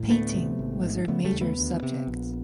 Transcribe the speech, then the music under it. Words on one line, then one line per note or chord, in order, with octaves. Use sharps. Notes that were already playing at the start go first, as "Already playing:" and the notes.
Painting was her major subject.
Already playing: A2
D2 A3 B3
C3
G#1
G#2
C#3 A3 B3
G3 A3
D#2
A3 B3
D2
C3
A#1